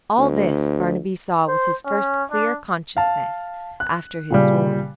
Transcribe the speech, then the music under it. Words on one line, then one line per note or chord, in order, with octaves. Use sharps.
All this Barnaby saw with his first clear consciousness after his swoon.
D2
C5
C#4
D4
F5 A5
F#6
A#2 C#3 G3